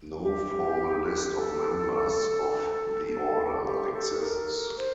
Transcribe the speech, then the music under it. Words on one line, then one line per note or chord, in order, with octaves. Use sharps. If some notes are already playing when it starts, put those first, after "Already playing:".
No formal list of members of the order exists.
G4
A4
A4
G4
A4
A#4
C5